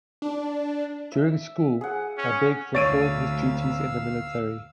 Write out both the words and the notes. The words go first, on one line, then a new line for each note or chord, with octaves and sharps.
During school, Abegg fulfilled his duties in the military.
D4
E5
G#4 F#5
C#4
D2 C#5 F5 E6 A6 D7 D#7